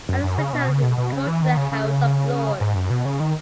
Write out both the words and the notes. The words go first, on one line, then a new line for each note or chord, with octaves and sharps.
On his return he was called to the House of Lords.
F#2
F#2
C#3
B2
C#3
B2
B2
C#3
E3
D#3
C#3
C#3
G#2
F#2
B2
C#3
D#3